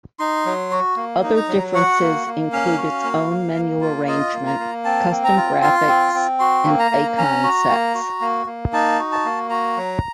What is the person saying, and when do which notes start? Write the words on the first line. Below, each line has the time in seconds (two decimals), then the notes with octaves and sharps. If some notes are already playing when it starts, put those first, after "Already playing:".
Other differences include its own menu arrangement, custom graphics, and icon sets.
0.19 D#4 C6
0.46 F#3
0.71 F#4
0.96 A#3
1.23 D#4
1.36 A#5
1.49 F#3
1.74 F#4 F#5
2.01 A#3
2.27 A#3
2.52 C#4 F5
2.78 F#4
3.04 A#3
3.30 A#3
3.55 A#3
3.81 F4
4.07 F4 D#5
4.34 A#3
4.47 A#5
4.59 A#3
4.85 C4 A5
5.11 C4
5.24 A#5
5.37 F4
5.62 F4 C6
5.88 C4
6.14 C4
6.40 F#4 C6
6.66 A#3
6.79 A#5
6.91 A#3
7.17 C#4 A#5
7.43 F#4
7.69 A#3
7.95 F#4
8.21 A#3
8.46 A#3
8.73 D#4 A5
8.99 F#4
9.12 A5
9.25 A#3
9.50 F#4 A#5
9.77 F#3